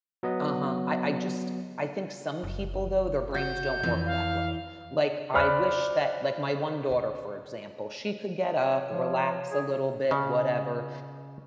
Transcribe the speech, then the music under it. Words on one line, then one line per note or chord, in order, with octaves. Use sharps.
Uh-huh. I I just I think some people, though, their brains don't work that way. Like, I wish that, like, my one daughter, for example, she could get up, relax a little bit, whatever,
F#3 B3 D#5
F#1
F#4 G6
F2 E3
F5
C5 D5 B5 F6 F#6
C#5
F3 C#5
G#4
C#3